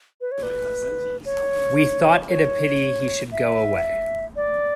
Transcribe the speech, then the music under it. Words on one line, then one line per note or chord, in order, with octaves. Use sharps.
We thought it a pity he should go away.
B4
C#5
B4
C#5
C#5
E5
D5